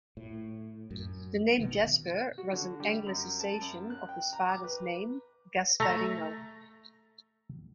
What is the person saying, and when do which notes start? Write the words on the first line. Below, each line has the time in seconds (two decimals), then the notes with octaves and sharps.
The name Jasper was an anglicisation of his father's name, Gasparino.
0.17 A2
0.91 F#2
1.58 B2 D#3 B3
2.38 F#4
2.53 D3
2.80 G3
3.07 F#2
3.40 A5
3.61 F#2
3.90 F#6
4.09 G5
4.33 A#5
4.49 D6
4.64 B4
5.80 A3 A#5